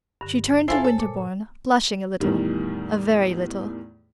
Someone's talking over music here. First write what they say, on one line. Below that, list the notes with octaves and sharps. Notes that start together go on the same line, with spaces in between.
She turned to Winterbourne, blushing a little--a very little.
G2 D3
E4 F4 A4 C5 G#5
A4 C#5
A#2
E2 A2 D#3 G3